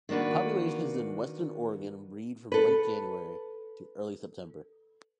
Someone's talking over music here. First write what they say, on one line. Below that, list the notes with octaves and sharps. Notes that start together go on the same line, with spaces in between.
Populations in western Oregon breed from late January to early September.
D#3 A#3 D4 F#4 B4
A4 B4